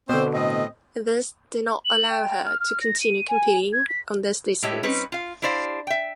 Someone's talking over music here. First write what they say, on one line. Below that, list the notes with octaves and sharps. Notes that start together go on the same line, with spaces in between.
This did not allow her to continue competing on this distance.
B2 D3 C4 C5
A2 C4 D#5
F#7
G5
F6
F6
A#6
D#7
G#5
G#6
B6
A2 G#3 E4 G4 C#5
G3 C4 C#4 D#4 B4
F4 F5
D4 E4 G4 C5 D5 F5
E5 G5